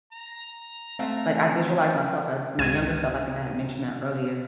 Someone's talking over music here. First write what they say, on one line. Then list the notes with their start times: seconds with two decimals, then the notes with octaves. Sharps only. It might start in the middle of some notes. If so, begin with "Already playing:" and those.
like, I visualize myself as my younger self. I think I had mentioned that earlier.
0.13 A#5
0.99 A3 C4 F5 F#5
2.58 G#1 C#2 G#6 D#7